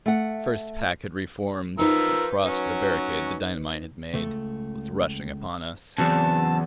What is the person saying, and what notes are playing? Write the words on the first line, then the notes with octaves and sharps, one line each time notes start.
The first pack had re-formed; had crossed the barricade the dynamite had made; was rushing upon us.
A3 F#5
F3 D#4 A#4 B4 E6
F#3 C#4
C#2 A3
E2 C#3 F#3 C4 A5